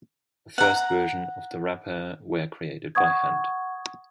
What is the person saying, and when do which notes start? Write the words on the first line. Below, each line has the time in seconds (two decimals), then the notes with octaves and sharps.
The first versions of the wrapper were created by hand.
0.58 F#5 A#5
2.95 F#5 C#6 D#6 G#6